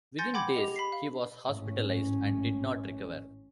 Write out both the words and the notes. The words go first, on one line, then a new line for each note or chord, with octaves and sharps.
Within days, he was hospitalized, and did not recover.
G#5 C6 G6 A6 A#6 C#7
F#5 G5 B5 D6 G#6 F#7
G4 D#5 F7
B5 B6 C7
F5
G#1 A2 C#4